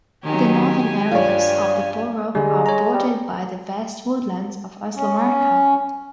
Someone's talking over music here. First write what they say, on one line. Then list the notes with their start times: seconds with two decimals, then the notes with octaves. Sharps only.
The northern areas of the borough are bordered by the vast woodlands of Oslomarka.
0.23 D#3 F#3 G4 G#5
1.12 G2 F4 C#5 D5
2.35 D3 G3 G#3
2.66 C#5 A#5
2.94 G3
4.95 C#4